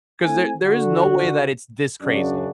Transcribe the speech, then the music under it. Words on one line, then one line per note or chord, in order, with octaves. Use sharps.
'cause there there is no way that it's this crazy."
A3 C4 E4 G#5
D3 F#4
F#2 C#3 C#4 D4 F#4 D5